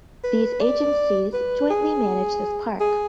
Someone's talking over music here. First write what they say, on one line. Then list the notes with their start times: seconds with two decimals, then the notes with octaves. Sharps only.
These agencies jointly manage this park.
0.24 B4
0.61 D5
1.34 B4
1.71 G#4
2.80 G#4